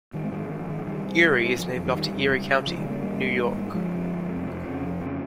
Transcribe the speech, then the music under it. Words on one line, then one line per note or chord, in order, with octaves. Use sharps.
Erie is named after Erie County, New York.
G#1 D#3 G3
G#3 C4
G#2 D#3 G3
F3
G#1 D#3
F3
G#2 D#3
F3
C#2 D#3 G3
C3
C#2
C3
G1 F3
D#3
F2 C3 F3
D#3 G3
G1
F2 C3
C#2
C#3
C#2 F3
D#3 G3
C#3
G3 A#3
G#1 G3 A#3
G#2
G#1
G#2
G1 F3 G#3
F2 C3
G1
F2 C3
F1 F3
F2 C#3
F1
F2 C#3